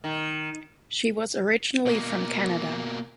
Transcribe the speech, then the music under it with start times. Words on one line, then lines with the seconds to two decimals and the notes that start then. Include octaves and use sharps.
She was originally from Canada.
0.04 D#3
1.86 B2 A#3